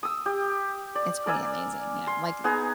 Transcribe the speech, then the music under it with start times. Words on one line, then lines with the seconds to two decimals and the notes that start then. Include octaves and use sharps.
It's pretty amazing, you know, like,
0.03 D#6 E6
0.26 G4
0.95 D5
1.26 A#4 D5 G#5 E6
2.07 C6
2.44 B3 D#4 G#4 A#5